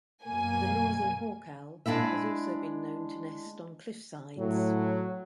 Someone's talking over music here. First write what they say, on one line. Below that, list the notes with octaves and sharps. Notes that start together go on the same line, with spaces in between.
The northern hawk-owl has also been known to nest on cliffsides.
F#2 B2 A#3 G#5
G#3 D4 E4 E5
A2 F#3